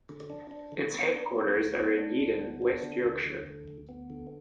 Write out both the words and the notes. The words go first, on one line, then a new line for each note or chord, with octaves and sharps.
Its headquarters are in Yeadon, West Yorkshire.
D3
D4
D4
D3
B3
D4
B3
D2
B3
D4
D2
B3
D4
D3
D2
D3
D2
D2
B3
D3